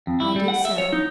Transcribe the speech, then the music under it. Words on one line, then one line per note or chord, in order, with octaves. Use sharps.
I did so.
F2
E4
G3
F#5
E5
C#5
D#4